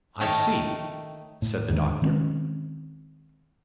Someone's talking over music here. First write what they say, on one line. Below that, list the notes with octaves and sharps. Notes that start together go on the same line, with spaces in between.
"I see," said the doctor.
D#3 A3 A#4 C#5 G5 A5
A2
D#2 G#2 D3 D#3
D#3 G#3 C4 C#4